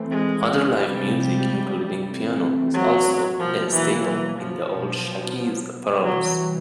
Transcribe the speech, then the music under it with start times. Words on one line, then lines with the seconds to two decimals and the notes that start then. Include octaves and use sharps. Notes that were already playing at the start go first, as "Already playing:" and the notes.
Other live music, including piano, was also a staple in the old Shakey's parlors.
Already playing: E3 A3 C4
0.10 G#3
0.76 C3 F3 G3 G#3 C4
2.08 E3 A3 C4
2.73 F#3
3.39 B2 F3 F#3 A#3
3.73 E3
4.06 E3
4.39 F3
4.71 B2 F#3 B3
6.03 C3 E3 F#3 G3